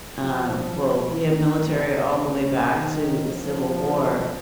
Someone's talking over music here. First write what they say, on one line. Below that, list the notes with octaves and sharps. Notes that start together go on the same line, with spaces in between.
um well, we have military all the way back to the civil war,
F3
D#3
C3
C#3
D#3
F3